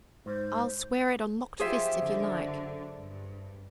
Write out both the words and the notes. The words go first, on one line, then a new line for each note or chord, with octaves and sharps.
'I'll swear it on locked fists, if you like.
G#2 C5
F3 F4 G4 G#4 C5 E5
F#2 D3
G2